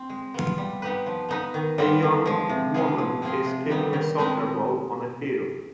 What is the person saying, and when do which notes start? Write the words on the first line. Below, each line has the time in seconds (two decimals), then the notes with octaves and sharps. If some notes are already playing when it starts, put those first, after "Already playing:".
A young woman is kicking a soccer ball on a field.
Already playing: C4
0.09 G#3
0.34 B3 F4
0.58 G3
0.82 B3 D#4 G4 B4
1.06 F3
1.29 B3 D#4 B4
1.54 D#3
1.78 G3 B3 F4
2.02 D3
2.26 F3 G#3
2.49 C3
2.74 F3 B3 F4 G#4
2.98 F3
3.22 G#3 C4 F4 G#4
3.45 C3
3.69 D#3 G3 B3 D#4
3.93 D#3
4.18 G#3 C4 D#4 B4